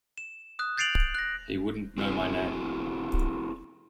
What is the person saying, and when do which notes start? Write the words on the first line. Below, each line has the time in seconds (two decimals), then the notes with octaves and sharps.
He wouldn't know my name.
0.18 E7
0.59 D#6 F#6
0.78 G6 A6 C7 D7 F7 F#7
1.14 F#6 A#6
1.98 C4 E4 F#4 G#4